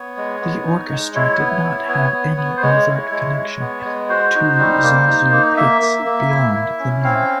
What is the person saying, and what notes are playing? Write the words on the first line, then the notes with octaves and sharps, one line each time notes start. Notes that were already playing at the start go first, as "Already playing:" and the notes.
The Orchestra did not have any overt connection to ZaSu Pitts beyond the name.
Already playing: B3 C#5
G#3
B3
D#4
G#3
E4 C#5
B3
E4
B3
B3
B3
C5
G#3 C#5
E4
G#3
G#3
B3
G#3
F#4 C5
D#4
G3
A#3
D#4
A#3
A#3 E5
A#3
A#3
E4
E4
C#4
C4 F5